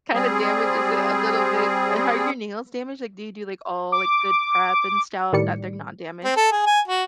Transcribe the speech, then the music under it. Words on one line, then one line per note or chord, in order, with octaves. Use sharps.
kinda damages it a little bit. Are your nails damaged? Like, do you do like all like good prep and stuff that they're not damaged.
G3 C4 G#4
D6
A2 D#3 G3 D5 C#7
C4
A4
G#4
G#5
F#4